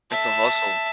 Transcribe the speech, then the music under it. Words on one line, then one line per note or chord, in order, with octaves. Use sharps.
It's a hustle,
E5 A5